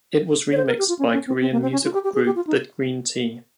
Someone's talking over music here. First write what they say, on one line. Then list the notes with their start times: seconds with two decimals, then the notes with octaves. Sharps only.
It was remixed by Korean musical group The Green Tea.
0.52 C#5
0.57 C5
0.67 A#4
0.79 G4
0.89 F4
0.99 C#4
1.13 C#4
1.27 C4
1.41 C4
1.52 A#3
1.62 C4
1.72 C#4
1.84 F4
1.93 G4
2.04 G4
2.14 G#4
2.26 G4
2.36 F4
2.47 D#4